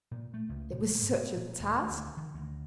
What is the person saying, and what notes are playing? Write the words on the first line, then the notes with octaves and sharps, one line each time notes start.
It was such a task!
A#2
A3
C#2
A#2
G#2
A2
A#2
D#2
A3
D2
D#3
D2